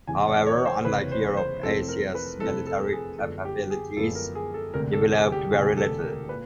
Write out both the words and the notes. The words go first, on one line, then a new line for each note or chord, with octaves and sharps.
However, unlike Europe, Asia's military capabilities developed very little.
F#1 E2 C3 G#5
D5
C#5
C5
F#1 E2 C3 B4
C5
C5
F2 C3 E3 A3 C4 A4
A#4
B4
F2 C3 E3 A3 C4 A4
A4
G#4
F#2 D3 F3 G#3 B3 A4
G4
G#4
F#2 D3 F3 G#3 B3 A4
A#4
G#4
A4
E1 D2 C3 A#4
A4
G#4
G4
E1 D2 C3 G#4
A4
A#4
A#2 B4